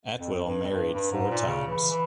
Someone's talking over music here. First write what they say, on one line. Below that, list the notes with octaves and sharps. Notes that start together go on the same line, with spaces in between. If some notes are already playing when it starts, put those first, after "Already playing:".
Atwill married four times.
F2
F2
G2
F2
G2
G2
G#2
A#2
C#3
E3
E3